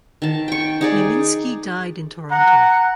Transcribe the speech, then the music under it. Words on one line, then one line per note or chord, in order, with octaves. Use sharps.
Nieminski died in Toronto.
D#3 A5
G5 C#6
D#4 G#4 D5
F#5 A#5